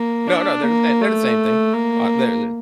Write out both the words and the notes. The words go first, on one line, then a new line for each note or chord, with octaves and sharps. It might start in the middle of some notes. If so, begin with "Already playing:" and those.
No, no, they're the same they're the same thing. Uh, they they're
Already playing: A#3
D4
A#3
A3
A#3